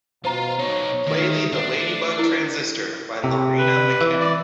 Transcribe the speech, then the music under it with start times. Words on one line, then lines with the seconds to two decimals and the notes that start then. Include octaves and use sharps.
Plaly The Ladybug Transistor by Loreena Mckennitt.
0.25 B2 F4 C5 F5 A#5
0.59 B2 D#4 C#5
1.07 D#3 A3
1.53 D4
2.18 E4 A#4
3.24 C3
3.59 B4
4.01 E3
4.20 D5